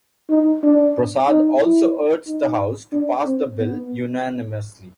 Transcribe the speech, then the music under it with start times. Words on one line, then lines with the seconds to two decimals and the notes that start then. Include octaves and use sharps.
Prasad also urged the House to pass the bill unanimously.
0.29 D#4
0.63 D4
1.29 D#4
1.61 E4
2.27 D#4
2.93 D4
3.26 C4
3.59 B3